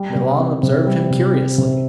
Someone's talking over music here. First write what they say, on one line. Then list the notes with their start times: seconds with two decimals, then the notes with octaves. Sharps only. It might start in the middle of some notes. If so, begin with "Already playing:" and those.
Milon observed him curiously.
Already playing: G3
0.15 C3
0.39 C4
0.63 C3
0.87 G3
1.10 C3
1.33 C4
1.58 C3